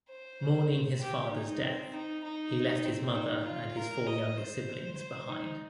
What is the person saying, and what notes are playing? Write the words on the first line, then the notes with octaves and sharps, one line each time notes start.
Mourning his father's death, he left his mother and his four younger siblings behind.
C5
G4
D#4
C4
D#4
D#4
C4
D#4
F4
A#4
D#5
C5
C5
D#4